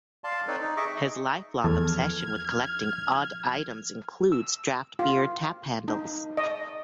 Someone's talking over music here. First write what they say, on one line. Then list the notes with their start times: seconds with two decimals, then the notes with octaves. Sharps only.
His lifelong obsession with collecting odd items includes draft beer tap handles.
0.24 D5 F5 A5 C6
0.48 C4 D#4 A4 B4 C#5 D5
0.61 D#4
0.77 G#4 D#5 E5 C#6 D6
1.64 E2 F3 A4 F6 G#6
4.32 E6
4.99 F4
5.88 D#4
6.37 D#5